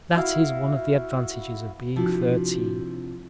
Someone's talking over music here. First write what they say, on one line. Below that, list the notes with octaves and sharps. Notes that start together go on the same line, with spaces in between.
That is one of the advantages of being thirteen.
E4 F#4 F5
C3 F3 D4 E4 F#4